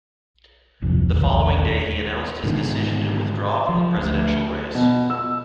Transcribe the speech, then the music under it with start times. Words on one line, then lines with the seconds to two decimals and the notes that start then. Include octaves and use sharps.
The following day he announced his decision to withdraw from the presidential race.
0.82 D1 C2 F2
1.10 E1 A#1 D#2
2.44 G#2 B2 D3 D#3
3.69 F3
3.97 D2
4.75 B2
5.10 E6